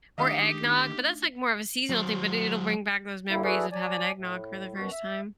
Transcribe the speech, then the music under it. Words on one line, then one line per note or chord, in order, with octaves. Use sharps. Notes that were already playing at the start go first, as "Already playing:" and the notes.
or eggnog, but that's, like, more of a seasonal thing, but it'll bring back those memories of having eggnog for the first time.
D#3 A3 D4 D#4 G4 D#5 F5 D#6
F#3 C5
F#2 D3 G3 A#3 E4
E4 F#4 G#4 A4 B4 D5
F#3 D5 G#5 A5
A2
F#2 B2 F#4
E5